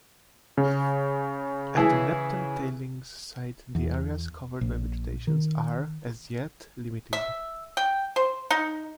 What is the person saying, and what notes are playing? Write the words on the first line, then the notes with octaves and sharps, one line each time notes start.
At the Nephton tailings site the areas covered by vegetation are, as yet, limited.
C#3
E3 E4 G#4
E2
A#1
D#3
E5
G5
C5
D#4